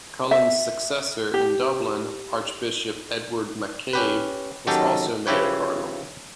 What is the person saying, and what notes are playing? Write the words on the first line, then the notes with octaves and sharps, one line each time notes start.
Cullen's successor in Dublin, Archbishop Edward MacCabe was also made a cardinal.
E5
G4
C#4 G4 B4
D#3 F#3 C#4 G4 A4
C#3 F3 E4 G4 B4 C#5